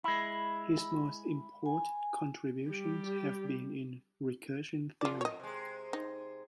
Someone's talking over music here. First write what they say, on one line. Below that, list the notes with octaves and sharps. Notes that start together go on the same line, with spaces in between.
His most important contributions have been in recursion theory.
G#3 E4 B5
G#5
G3 G4
F2 F4 D5
C#5 D#5
C3 G#3
D#4